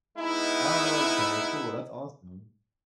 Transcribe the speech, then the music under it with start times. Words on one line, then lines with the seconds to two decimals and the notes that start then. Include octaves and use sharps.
Oh, okay, cool. That's awesome.
0.18 G#3 B3 D#4 E4